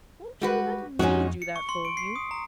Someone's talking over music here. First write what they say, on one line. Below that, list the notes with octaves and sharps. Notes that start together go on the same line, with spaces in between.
Won't you let me do that for you?
G3 G#3 F#4 B4
F2 A#2 G#3 C#4 D#4 F#4
C#7
C#6
C6
D7
C7
D#6
A#5